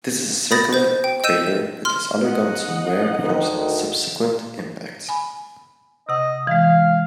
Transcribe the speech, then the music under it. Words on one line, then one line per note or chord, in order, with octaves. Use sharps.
This is a circular crater that has undergone some wear from subsequent impacts.
B5 D#6 A6 A#6
C5 G6
G5
D#5 E6 G6 D#7 E7
C6 F6
D#5 F#5
D2 D#3
G#5 B5
C3 D#5 F#5
E3 G#3 F5